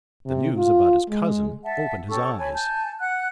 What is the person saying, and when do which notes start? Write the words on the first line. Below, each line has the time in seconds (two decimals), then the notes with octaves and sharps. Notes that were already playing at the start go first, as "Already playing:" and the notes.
The news about his cousin opened his eyes.
0.26 C3
0.57 F4
1.10 G#3
1.64 E5 F#5 A5
2.09 C#4 G4 A4 C#6
2.38 C#5 G#5 A5 B5
2.54 G#5 A5 G6
3.00 F#5 F#6